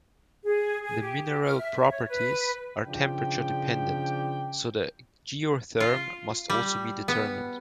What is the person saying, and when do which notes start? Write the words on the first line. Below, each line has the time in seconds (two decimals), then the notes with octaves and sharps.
The mineral properties are temperature-dependent, so the geotherm must also be determined.
0.45 G#4
0.83 G#4
1.01 G4
1.23 G4
1.43 F6
1.59 E5
1.90 C#5
2.08 B4
2.87 C#3 F3 D4 G4 G5
5.80 F4
6.50 G3
7.08 B3